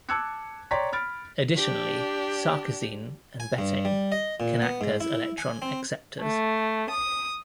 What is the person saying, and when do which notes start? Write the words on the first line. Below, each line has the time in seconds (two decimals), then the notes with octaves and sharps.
Additionally, sarcosine and betaine can act as electron acceptors.
0.09 A5 D6 E6 F#6 G#6 C#7
0.71 C#5 D5 G5 A#5 C6 B6
0.92 B5 F6 A6 D7
1.55 D4 G4
3.40 G#5
3.58 G2
3.85 G3
4.12 D#5
4.40 A#2
4.62 B3
4.81 G#2
5.00 E4
5.38 G#5
5.62 C4
6.20 A3
6.90 D#6